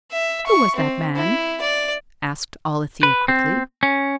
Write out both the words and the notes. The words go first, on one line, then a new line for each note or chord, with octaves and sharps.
"Who was that man?" asked Alethia quickly.
E5
C#6
C4
E4
D5
B4
C4
C#4